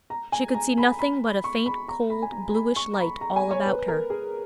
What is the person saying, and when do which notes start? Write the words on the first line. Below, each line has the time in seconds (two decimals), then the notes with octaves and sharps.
She could see nothing but a faint cold bluish light all about her.
0.10 A#5
0.32 G#5
0.55 A#5
0.77 B5
0.99 B5
1.44 C#6
1.66 B5
1.88 A#5
2.10 B5
2.22 G#5
2.32 A#5
2.48 A#5
2.55 B5
2.76 C#6
2.93 A#5
2.99 B5
3.21 A#5
3.36 G#5
3.51 C#5
3.66 B4
3.88 A#4
4.10 G#4